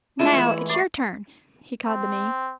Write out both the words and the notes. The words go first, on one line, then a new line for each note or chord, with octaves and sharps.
"Now, it's your turn," he called to me.
G#3 A3 D4 E4 F4 E7
E3 C#5 F#5
D5 C#6 C7
C4